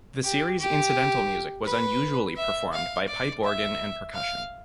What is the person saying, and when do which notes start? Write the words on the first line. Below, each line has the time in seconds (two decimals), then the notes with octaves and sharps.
The series' incidental music was unusually performed by pipe organ and percussion.
0.23 G4
0.60 G4
1.65 B4
2.37 E5
2.73 F5
3.08 D5
3.44 E5
4.14 F5